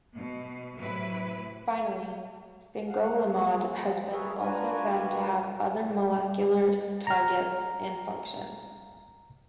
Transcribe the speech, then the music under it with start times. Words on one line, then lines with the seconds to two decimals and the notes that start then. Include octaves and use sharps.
Finally, fingolimod has been also found to have other molecular targets and functions.
0.15 B2
0.77 A2 C3 F#3 E4 B4
2.88 F5 F#5
3.35 A#3 F4 G#4
3.67 F3
4.11 G#4 A#4 B4 C#5 E5
4.39 D4 F4 F#4 A#4 B4 G#5
7.07 A#5 F6